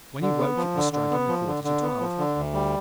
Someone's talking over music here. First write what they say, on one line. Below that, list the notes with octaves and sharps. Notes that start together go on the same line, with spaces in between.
When he woke it was striking a quarter to twelve.
D3
B3
F3
D3
D3
B3
F3
D3
D3
B3
F3
D3
D2
G3